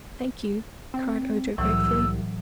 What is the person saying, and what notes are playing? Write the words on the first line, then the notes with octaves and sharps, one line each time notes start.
"Thank you!" cried Ojo gratefully.
C4
C2 A2 E3 F#3 E6